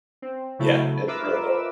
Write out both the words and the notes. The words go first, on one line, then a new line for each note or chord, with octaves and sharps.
Yeah, it's really cool.
C4
C#3 F#3 A3 E4
F4 A#4 B4 E5 D6 E6